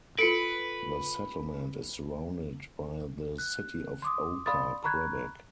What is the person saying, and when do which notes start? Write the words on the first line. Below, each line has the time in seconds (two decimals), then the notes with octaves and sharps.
The settlement is surrounded by the city of Oka, Quebec.
0.19 F4 A4 B4 C#7 D7
3.38 F#6
4.02 C6 D6 D#6
4.46 D5 F5 B5 C6 D#6 A6
4.84 A#5 B5 C#6 F#6 G#6